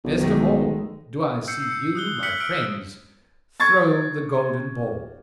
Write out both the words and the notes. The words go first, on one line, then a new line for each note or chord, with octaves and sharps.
Best of all, do I see you, my friends, throw the golden ball!
B1
D#3 G#3 A3
E6 G6 C7 C#7
C#7
D#6 F#6 G7
F6 F#6 B6 C#7 F#7
E6 F6 B6 D7
C#6 G#6 A6